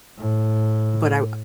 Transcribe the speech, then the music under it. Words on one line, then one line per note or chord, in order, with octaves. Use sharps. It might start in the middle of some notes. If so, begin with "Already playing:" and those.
but, I
A2